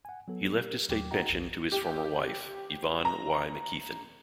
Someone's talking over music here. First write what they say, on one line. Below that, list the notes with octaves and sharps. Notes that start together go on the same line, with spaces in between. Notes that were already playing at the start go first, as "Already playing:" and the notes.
He left his state pension to his former wife, Yvonne Y. McKeithen.
F#5 G#5
F#3 B3 A4
G4 A#4
D#2 F#3 G5 D6
D#4 F#4 D#5 F#5 G5 A#5
A1 D#2
G4
A#5